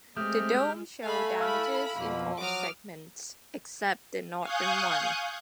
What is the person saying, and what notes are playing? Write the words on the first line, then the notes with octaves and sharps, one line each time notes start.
The dome showed damages in all segments except the northern one.
G#3 A3 C4 G4 D#6 F6
A3 A4 F5 G#5 A5 B5
E4 F5 B5 E6 F6
F2 B2 F3 A#3
F#3 F#4 D6 D#6 F6
F5 G#5 C#6 D#6 F#6 G6